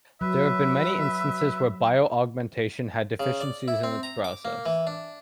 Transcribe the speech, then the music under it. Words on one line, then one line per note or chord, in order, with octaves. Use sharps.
There have been many instances where bioaugmentation had deficiencies in its process.
F#3 B4 E5
C#3
D5
E4
C4
A#5
D6
A#3
E3
D4